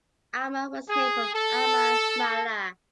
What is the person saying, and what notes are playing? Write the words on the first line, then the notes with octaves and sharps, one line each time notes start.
Alma was named for Alma Mahler.
G#4
A4